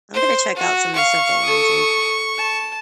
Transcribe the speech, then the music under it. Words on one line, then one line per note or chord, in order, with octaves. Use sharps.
I'm gonna check out some of the stuff that you mentioned,
C5
F#4
F5 C#6
A4 D#6
A5